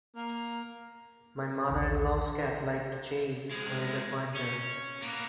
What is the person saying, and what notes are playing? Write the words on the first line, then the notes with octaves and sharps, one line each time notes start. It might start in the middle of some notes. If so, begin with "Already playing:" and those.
My mother-in-law's cat like to chase a laser pointer.
A#3
A#1 D#2 D#3
F3 G#3
C#4
A#3 B3